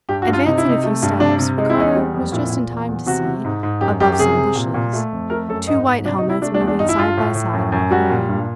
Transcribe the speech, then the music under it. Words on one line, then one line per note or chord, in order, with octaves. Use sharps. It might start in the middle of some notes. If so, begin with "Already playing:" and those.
Advancing a few steps, Ricardo was just in time to see, above some bushes, two white helmets moving side by side in the clearing.
G2 G4
F#4
G2
F4
C3 D#4
E4
C3 D#4
A3
G2
C3 D4
C3
G#3 D#4
E4
E2 D#4
G3
F2
A#2 E4
A#2
E2
E2
C3 F#4
C3
G#2
G#2
F#2 G4
F#2 G4
G4
C3 G#4
C3
A#2
A#2
A3
F2
A3 A#4
F#2 A4
G#2 D#4
G#2
C3 D4
D#4
C3
E4
A3 D4
D4
E2
D4
G2 D#4
E4
G2 F4
A2
A2
F#2
F#2
G3 F#4
A#2
G2